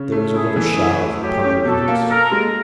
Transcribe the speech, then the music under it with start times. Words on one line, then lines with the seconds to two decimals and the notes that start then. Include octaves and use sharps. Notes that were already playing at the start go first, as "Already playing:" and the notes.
There was a little shower of pine needles.
Already playing: C#3
0.12 A3
0.34 E4 G#4
0.56 E3
0.78 E4
1.00 A3
1.22 F#3 G4
1.44 C#4
1.65 B2 A4
1.88 A#3
2.09 A4 A#4
2.31 G#3